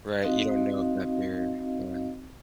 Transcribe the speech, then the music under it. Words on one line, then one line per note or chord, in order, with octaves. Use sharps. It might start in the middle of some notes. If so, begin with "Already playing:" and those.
Right. You don't know if that their yeah.
C4 D#4 F#4 D#5 F5